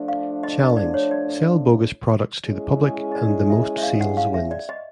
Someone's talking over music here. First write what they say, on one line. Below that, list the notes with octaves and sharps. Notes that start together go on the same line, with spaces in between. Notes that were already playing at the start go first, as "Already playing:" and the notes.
Challenge: Sell bogus products to the public and the most sales wins.
Already playing: F3 A3 D4
F5
D#5
D#5
D5
C#5
D5
G#3 C#4 E4 G#4
D#5
D5
E5
E5
F5
F#5
F5
E5
D5
D#5